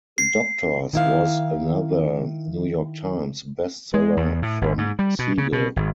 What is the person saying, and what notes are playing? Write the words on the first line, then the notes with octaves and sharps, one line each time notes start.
"Doctors" was another "New York Times" bestseller from Segal.
C7
D#3 E4 F5
G#3
E2
A2
G#1
G#2
G3
B2
C#3
B2
G#1